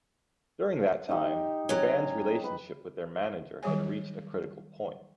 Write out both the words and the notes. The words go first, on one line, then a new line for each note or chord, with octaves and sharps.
During that time, the band's relationship with their manager had reached a critical point.
D#4 G4
F#3 C#4
B4
D#3 F#3 G3 G#4 C#5 G#5